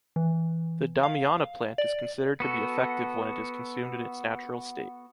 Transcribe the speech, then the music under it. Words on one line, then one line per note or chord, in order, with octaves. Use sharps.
The damiana plant is considered to be effective when it is consumed in its natural state.
E3
F5
D5
B3 F#4 A4